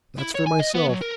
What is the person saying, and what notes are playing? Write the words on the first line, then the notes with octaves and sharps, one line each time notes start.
That's for myself.
E4
C#5
G#5
D#5
B3
F#3
A#4